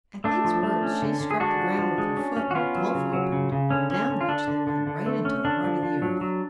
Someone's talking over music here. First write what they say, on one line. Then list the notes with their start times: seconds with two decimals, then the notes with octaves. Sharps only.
At these words she struck the ground with her foot and a gulf opened, down which they went right into the heart of the earth.
0.24 A3 D4
0.44 F3
0.63 A3
0.83 C#4
1.02 D3
1.20 D3
1.31 G#4
1.40 G#3 D4 F#4
1.60 F3
1.79 F3
1.98 G#3
2.17 C#4
2.37 C#4
2.51 F#4
2.55 B3 C#4 F4
2.75 F#3
2.95 C#3
3.13 F#3
3.32 C#3
3.52 C#3
3.70 D3 C#4
3.91 C#4
4.09 D3
4.21 F4
4.29 D3 D4
4.47 D3
4.67 D3
4.87 D3
5.06 A3
5.25 C#4
5.45 D3 D4
5.64 F3
5.82 F3
6.02 F#3
6.21 F#3